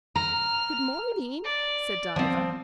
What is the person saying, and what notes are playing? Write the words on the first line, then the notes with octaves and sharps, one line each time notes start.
"Good morning," said Diva.
A#5 F6
D5
F3 C4